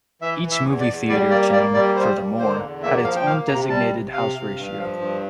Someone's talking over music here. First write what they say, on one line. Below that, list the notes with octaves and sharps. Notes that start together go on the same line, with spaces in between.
Each movie theater chain, furthermore, had its own designated house ratio.
E3 E5
E3
E5
E2
D5
E2
G3 D5
A#3 D5
A#3 D5
G3 D5
G3 C5
A#3
D3 C5
E2
A#3 E5
F3 F5
G5
A#3 F5
C3 A#5
G3 A5
C3
C3 F5
C3
G2
F3
G2